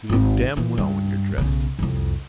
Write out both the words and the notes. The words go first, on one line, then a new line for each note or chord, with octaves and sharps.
You look damn well when you're dressed.
G#1 C4
A#2 E3
G2
B1 C#3
C2 F2